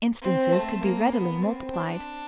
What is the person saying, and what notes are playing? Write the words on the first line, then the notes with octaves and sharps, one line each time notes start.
Instances could be readily multiplied.
C4
A3
A#3
B3
C4
D4